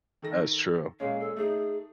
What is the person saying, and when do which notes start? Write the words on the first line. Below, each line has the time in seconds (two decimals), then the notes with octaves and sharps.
That's true.
0.22 D#3 A4 A#6
1.00 A#2 G#3 C#4 F5
1.20 A4
1.36 A3 D#4 G#4